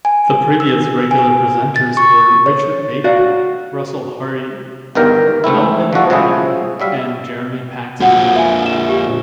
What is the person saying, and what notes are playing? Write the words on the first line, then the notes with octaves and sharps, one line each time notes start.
The previous regular presenters were Richard Baker, Russell Harty, Melvyn Bragg and Jeremy Paxman.
G#5
E6
G#5
A6
C#6
C#5
F#4 D5 F5
G1 E2 G2 D#3 A#4 G5
G#2 A3 C4 E4
F3 G3 F#4 A4
C#3 F3 F#3 G#3 E4 G#4
F#3 G3 E5 F5
F2 A#2 F#4 F#5
E5 G#5
E7
G4